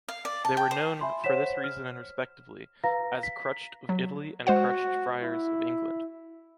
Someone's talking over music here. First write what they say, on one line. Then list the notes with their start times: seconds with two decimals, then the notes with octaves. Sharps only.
They were known, for this reason and respectively, as Crutched of Italy and Crutched Friars of England.
0.08 F5
0.25 D5
0.45 A5
0.57 G5
0.71 C5
1.01 E5 G#5 B5 C6
1.24 C5 C#5 F#5 B6 E7
1.64 F6
2.84 B4 F5 A#5 A#6
3.23 B6
3.89 F#3
4.47 G#3 F#4 C5 F#5
5.22 E4